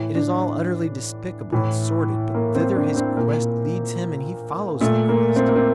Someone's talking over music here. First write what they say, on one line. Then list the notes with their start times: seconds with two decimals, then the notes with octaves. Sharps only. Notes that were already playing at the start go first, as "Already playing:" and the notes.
It is all utterly despicable and sordid, but thither his quest leads him and he follows the quest.
Already playing: A2 E3
0.15 D4
1.52 A2 E3
2.34 A#3
2.55 C4
2.76 D4
2.97 C4
3.17 A#2 A#3
4.81 A#2 A3
5.09 A#3
5.36 C4
5.49 A#3
5.56 C4